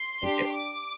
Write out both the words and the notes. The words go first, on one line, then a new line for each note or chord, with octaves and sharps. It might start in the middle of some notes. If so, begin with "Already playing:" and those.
And get
Already playing: C6
D4 G4
D6